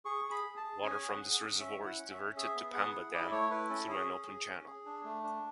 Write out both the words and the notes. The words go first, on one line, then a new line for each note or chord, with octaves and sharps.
Water from this reservoir is diverted to Pamba dam through an open channel.
G#4 C#6
G#4
B5
G#4
A5
G#4
C#4 G#5
G#4
F#5
G#4
F#5
C#4
C#4 E5
E4
F#5
C#4
E5
C#4
G#4 E5
B3
G#4 F#5
E4
E4 D5
A3 C#5
E4 B4
C#4 A4
G#4
C#4
G#4
C#4
G#4
D4
A3
D4